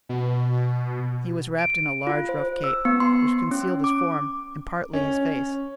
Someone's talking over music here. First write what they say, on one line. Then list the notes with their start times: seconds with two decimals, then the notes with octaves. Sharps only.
He was wrapped in a large rough cape, which concealed his form and partly his face.
0.09 B2
1.59 D7
2.07 F4
2.29 C5
2.64 E6
2.85 B3
3.00 C6
3.51 C#4
3.84 D6
4.93 C#4